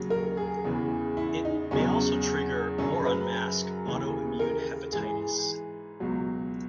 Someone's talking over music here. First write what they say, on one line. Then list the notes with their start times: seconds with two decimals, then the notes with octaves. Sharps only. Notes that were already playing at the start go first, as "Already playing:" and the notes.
It may also trigger or unmask autoimmune hepatitis.
Already playing: D#2 C#3 F#3
0.10 A#4
0.37 G#4
0.64 E2 C#3 E3
1.17 E4
1.45 D#4
1.71 E2 C#3 F#3 C#4
2.78 F#2 C#3 F#3 C#4
3.05 B4
3.85 D#2 C#3 E3
4.39 A#4
4.92 G#2 E3 G#4
6.00 C#2 B2 F#3